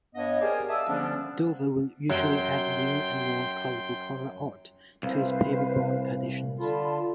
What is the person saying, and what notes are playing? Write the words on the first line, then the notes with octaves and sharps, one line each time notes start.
Dover will usually add new and more colorful cover art to its paper-bound editions.
G2 B3 C#5 D#5
G4 G#4 A#4 C5 D5 G#5
D5 E5 F5 A5 D#6 E6
D3 F3 G3 B3 C#4 D4
F#2 G5 C6
C2 B4 C5 F5
D3 F4 A5 B5